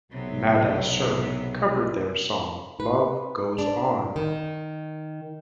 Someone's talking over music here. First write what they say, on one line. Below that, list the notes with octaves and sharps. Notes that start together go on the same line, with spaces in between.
Nada Surf covered their song Love Goes On!
B1 C3 F#3 B3
B4
D4
D#3